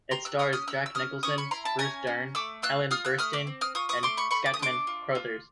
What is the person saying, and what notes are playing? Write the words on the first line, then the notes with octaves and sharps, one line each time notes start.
It stars Jack Nicholson, Bruce Dern, Ellen Burstyn and Scatman Crothers.
G4 A#5 C6
E6 F#6
C#4 D#6 F6
D#6 F6
C#4 E6 F#6
E6
C#4 D#6 F6
C#4 C#6 D#6
B5 C#6
E4 A#5 C6
A5 B5
C#4 G#5 A#5
C#4
A3 D6 E6
F4 E6 F#6
F4 D#6 F6
E6 F#6
A3 D#6 F6
D6 E6
C4
D#6 F6
F4 C#6 D#6
C#6 D#6
A3 C6 D6
B5 C#6
A3 B5 C#6
D6
D#6
D4 C6 D6
F4
F4